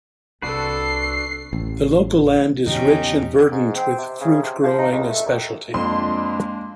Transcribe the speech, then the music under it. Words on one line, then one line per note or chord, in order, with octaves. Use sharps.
The local land is rich and verdant with fruit growing a speciality.
C2 C4 D4 F#4 A4 B4 C7
A1
E2 C#3 F3 C#4 D#4 G4
G#2
C4
C3
C#3
C3
F3
D#4
C#2
A3
D#2
F2 G#3 A#3 D4 C6